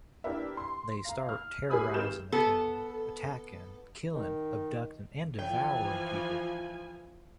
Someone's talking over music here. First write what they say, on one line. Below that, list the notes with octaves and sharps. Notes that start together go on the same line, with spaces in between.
They start terrorizing the town, attacking, killing, abducting and devouring people.
D4 E4 G4 A#4 B4 E5
C6
F5 A#5
F6
G#4 A#4 G#5 B5 D#6 E6
G#1 G#4 B4 F6 G6 E7
B3 A4
D#3
E3 F3 G5 G#5